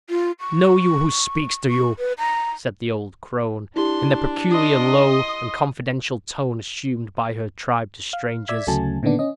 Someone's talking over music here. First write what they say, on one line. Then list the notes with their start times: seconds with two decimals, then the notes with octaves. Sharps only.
"Know you who speaks to you?" said the old crone, in the peculiar low and confidential tone assumed by her tribe to strangers.
0.10 F4
0.40 C#6
1.70 C#6
1.98 B4
2.18 A#5
3.76 D4 E4 G4 C6
4.51 D#5 C6 D#6
8.13 F5
8.48 D5 E5 E6 G#6 B6
8.67 D2 C#3 F#3 A3 G#5 A5
9.03 A#2 D3 D#3 B3 D4
9.19 C#4 D#5